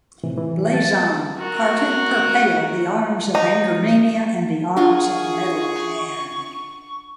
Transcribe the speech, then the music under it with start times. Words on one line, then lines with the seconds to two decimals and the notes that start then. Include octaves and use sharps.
Blazon: Parted per pale, the arms of Angermannia and the arms of Medelpad.
0.23 A2 C3 E3
0.38 E3
0.73 F#3 A5
1.38 F#4 A#4
3.35 D#4
4.77 D4 F4 G#4 A#4 F#5 C#6